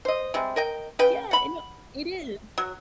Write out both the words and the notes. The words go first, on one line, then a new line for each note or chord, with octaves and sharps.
Yeah, and o it is.
C5 D#5
C3 G3 G#3
A#4 D#5 G5
C#3 B4 G5
F#5 B5
F#3